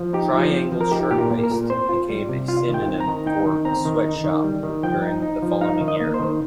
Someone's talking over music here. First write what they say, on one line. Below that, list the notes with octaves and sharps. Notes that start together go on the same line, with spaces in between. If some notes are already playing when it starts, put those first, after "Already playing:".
Triangle Shirtwaist became a synonym for "sweatshop" during the following year.
Already playing: F3
D#4 G4
F3
C4
F3
A#4
D#4 G4
A#2 G4
A#4
A#3
A#4
A#2
C4 C5
F4
G3
C3
F4 F5
D#3
G5
C4
A#5
D#3
D#4 G5
D#3
C4 A#5
D#3
D#4
D#3
G3
D#3
F3 G5
D#4
D#4
F3
D#4 F5
D#3
D#5
A#3
C5
D#3